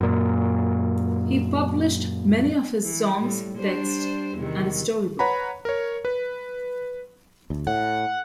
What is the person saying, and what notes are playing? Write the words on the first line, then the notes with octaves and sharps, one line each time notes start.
He published many of his songs texts and a story book.
F#2 A#2
E3
A2 G3
G3 D4 C5
E2 C3 D#3
B4 C#5 F#5 A#5 B5
A#4 C#5
B4
D2
A2 F#5